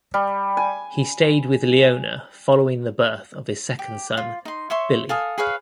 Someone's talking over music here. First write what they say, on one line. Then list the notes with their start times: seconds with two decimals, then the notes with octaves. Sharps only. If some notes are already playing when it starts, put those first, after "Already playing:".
He stayed with Leona following the birth of his second son, Billy.
0.14 G3
0.57 G#5
3.79 G4
4.17 F4
4.45 D#4 C6
4.70 C#5 E5 C6 C#6
5.09 A4 F5 G#5 D#6
5.38 G#4 B4 C#5 F5